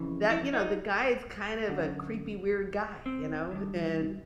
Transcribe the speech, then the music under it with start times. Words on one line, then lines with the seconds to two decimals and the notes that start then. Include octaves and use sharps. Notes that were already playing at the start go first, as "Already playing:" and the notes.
that you know, the guy is kind of a creepy weird guy, you know? H And
Already playing: F2 C#3 E3
0.30 E4
0.53 D#4
1.68 F#2 D3
3.06 C4
3.51 G2 D#3